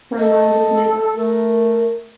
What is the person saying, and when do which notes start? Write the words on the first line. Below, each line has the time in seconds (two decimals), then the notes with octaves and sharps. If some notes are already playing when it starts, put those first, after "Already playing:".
Her mind was made up.
0.18 A4 D#5
1.16 A3 A#4